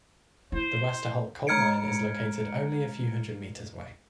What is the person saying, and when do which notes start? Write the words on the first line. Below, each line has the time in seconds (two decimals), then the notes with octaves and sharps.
The Westerholt coal mine is located only a few hundred metres away.
0.52 E4 C5
1.47 G#3 A#5 F6 G#6 C#7 D7